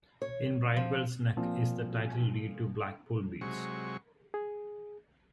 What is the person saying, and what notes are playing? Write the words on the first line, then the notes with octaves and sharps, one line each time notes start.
In Bridewell's neck is the title deed to Blackpool Beach.
C#5
F3
A#2 F3 C4
C3 F#3 G#3 C#6
G#4